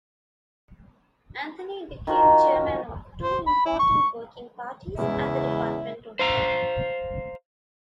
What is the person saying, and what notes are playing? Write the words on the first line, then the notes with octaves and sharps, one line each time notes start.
Anthony became chairman of two important working parties at the department of health.
D#3 F3 F#4 A#4
C5
B5
E4
C#6
E2 C#3 G#3 E4
C5 F5 A#5